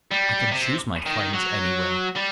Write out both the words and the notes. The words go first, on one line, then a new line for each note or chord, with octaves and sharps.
I can choose my friends anywhere.
G3
C3
D#3
F#3
G3